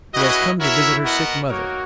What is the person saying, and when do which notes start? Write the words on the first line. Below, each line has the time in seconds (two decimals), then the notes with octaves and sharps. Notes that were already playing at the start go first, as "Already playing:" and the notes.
She has come to visit her sick mother.
0.14 C#4 E4 F#4 G#4 B4 D#5
0.59 E4 F#4 A#4 C#5 E5
1.05 B3 F#4 A#4 D#5 F#5
1.49 A#3 D#4 F#4 A#4 C#5